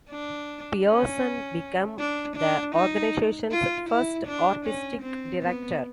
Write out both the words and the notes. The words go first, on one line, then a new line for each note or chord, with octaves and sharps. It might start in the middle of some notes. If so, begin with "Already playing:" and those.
Pearson became the organisation's first artistic director.
D4
C#4
D4
D4
D#4
F4
E4
D4
C#4
C4
B3